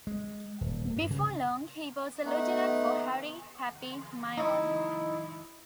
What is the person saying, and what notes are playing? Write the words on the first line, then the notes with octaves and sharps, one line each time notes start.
Before long, he was a lieutenant for Harry "Happy" Maione.
G#3
D#1
G2
C#3
A3 B3 D#4 F#5
D#4 E4